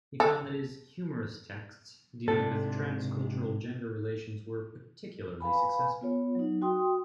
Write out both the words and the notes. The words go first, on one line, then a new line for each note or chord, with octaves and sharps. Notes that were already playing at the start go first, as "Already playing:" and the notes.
He found that his humorous texts dealing with trans-cultural gender relations were particularly successful.
A4
G#2 C3 D4 A4
B4 F5 G#5 B5
B3 F4 C#5
F#3 D#4
F#4 G5 C6 D#6